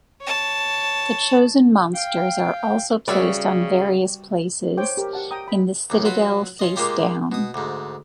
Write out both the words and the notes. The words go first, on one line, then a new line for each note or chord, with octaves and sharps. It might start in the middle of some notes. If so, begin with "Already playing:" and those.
The chosen monsters are also placed on various places in the Citadel facedown.
C#5 A5
F5 G5
C#3 G3 F#4 B4 C#5 D5 E5
C5 C#5 G5 D6
G4 A#4
G4 F#5 A5
G5 A#5 D#6
B5
D#2 A2
F#3 F4 F#4 B4
C#4 F4 D#5
A#2 G#3 A#3 F4 G4 A#5
B2 D#6
D2 G#2